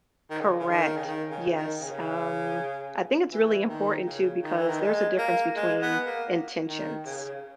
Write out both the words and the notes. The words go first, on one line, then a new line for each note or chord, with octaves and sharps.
Correct. Yes. Um, I think it's really important, too, because there's a difference between intentions,
D#3
C#3
C#3
D#3
C#3
D#3
C#3
D#3
C#3
E3
D#3
C#3
D#3
E3
D#3
G#3
A#3
G#3
B3
A#3
D#3
C#3